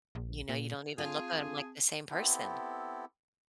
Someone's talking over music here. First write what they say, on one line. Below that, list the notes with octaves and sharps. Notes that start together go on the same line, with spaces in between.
You know, you don't even look at 'em like the same person.
A#1
A#2
C4 F4 G#4 G#5 A5
B3 C4 E4 G4 A4